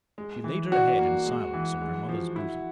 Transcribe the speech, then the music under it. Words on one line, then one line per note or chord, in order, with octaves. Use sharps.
She laid her head in silence on her mother's bosom.
G#3
E3
D4 F#4
A#3
G#3
E3
G#3
F3
E4